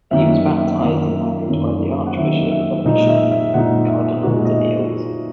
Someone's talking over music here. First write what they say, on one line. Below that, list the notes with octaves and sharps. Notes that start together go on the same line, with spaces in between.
He was baptised and married by the Archbishop of Mechelen, Cardinal Danneels.
F#2 D#3 A#3 E5
E5
F#2 D#3 A#3
F#2 D#3 A#3
F#5
F#2 D#3 A#3 E5
E5
A#2 G#3 D#4 D#5
E5
E5
A#2 G#3 D#4 F#5
E5
A#2 G#3 D#4 F#4
D#5